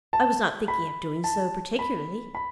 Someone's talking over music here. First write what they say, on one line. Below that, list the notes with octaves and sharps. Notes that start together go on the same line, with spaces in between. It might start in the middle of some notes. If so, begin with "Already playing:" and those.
"I was not thinking of doing so particularly."
A5
B5
A5
B5
B5